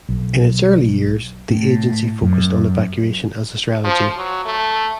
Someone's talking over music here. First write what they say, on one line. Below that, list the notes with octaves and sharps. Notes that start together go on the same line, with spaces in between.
In its early years, the agency focused on evacuation as a strategy.
B1
A2
F#2
F3
F#3
A3